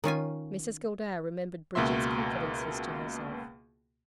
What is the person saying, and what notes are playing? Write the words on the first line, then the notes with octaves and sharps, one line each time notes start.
Mrs Gildea remembered Bridget's confidences to herself.
D#3 C#4 F4 G#5
C#2 B2 A#3 F#4 E5 C6